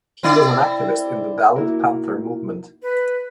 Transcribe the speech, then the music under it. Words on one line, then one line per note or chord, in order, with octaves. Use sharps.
He was an activist in the Dalit Panther movement.
C4 E4 D5
A#3 D#4 E4 F#4 A#4
B4